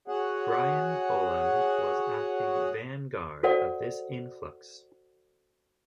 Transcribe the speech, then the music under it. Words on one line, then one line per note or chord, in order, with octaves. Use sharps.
Brian Bolland was at the vanguard of this influx.
F#4 G#4 C#5 F#5
F#4 A4 C5 D5 F#5